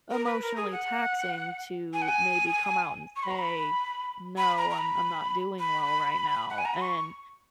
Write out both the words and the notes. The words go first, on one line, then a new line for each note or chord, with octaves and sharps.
emotionally taxing to maybe come out and say, “No, I'm I'm not doing well right now." And,
A#4
B4
A#4
G#4
F#5
G#5
F#5
G#5
C#6
B5
A#5
B5
B5
A#5
A#5
B5
B5
F#5
G#5
A#5
B5
C#6